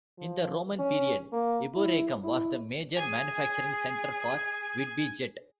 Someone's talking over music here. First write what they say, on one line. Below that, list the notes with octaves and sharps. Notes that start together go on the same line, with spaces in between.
In the Roman period, Eboracum was the major manufacturing centre for Whitby Jet.
F3
C#4
A#3
E4
E4
G#4 G#5